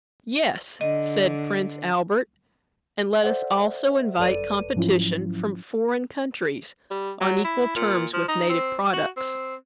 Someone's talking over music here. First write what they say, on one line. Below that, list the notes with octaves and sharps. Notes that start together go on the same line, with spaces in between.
Yes, said Prince Albert, and let us also invite competition from foreign countries on equal terms with native products.
D3 D#5
A4 C5 D5 E5 F#5
G1 F#2 A4 B4 D5 D#7
G#2 F3 F#3 C#4 E4 F4
G3
F#3
E4
A#2
F3
D#4
C4
F#4
C4